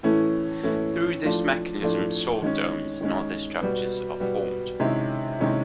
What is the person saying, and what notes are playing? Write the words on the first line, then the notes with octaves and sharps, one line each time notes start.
Through this mechanism, salt domes and other structures are formed.
A2 E3 A3 C#4 E4
A2 E3 A3 C#4 E4
A2 F3 A3 D4 F4
A2 F3 A3 D4 F4
D#3 G#3 C#4
D#3 G#3 C#4
B2 G3 B3
B2 G3 B3
C3 D#3 G#3 C#4 E4
C3 D#3 G#3 C#4 E4